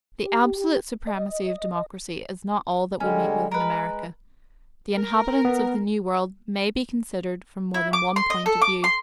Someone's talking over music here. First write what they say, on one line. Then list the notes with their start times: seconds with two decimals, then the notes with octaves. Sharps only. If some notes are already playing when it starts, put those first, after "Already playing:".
The absolute supremacy of democracy is not all that we meet with in America; the inhabitants of the New World may be considered from more than one point of view.
0.25 G4
1.07 D#5
3.00 D3 G3 G#3 C#4
3.51 G#3 A#4 B4
4.96 A#4
5.45 B3
7.74 E4
7.93 D6
8.16 C6
8.30 D#5
8.46 A4
8.62 D6
8.84 C6